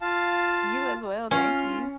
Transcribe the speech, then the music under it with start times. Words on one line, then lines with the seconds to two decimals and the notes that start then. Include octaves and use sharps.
You as well, thank you.
0.01 F4 F5 A5
1.31 C#4 F4 C6 F6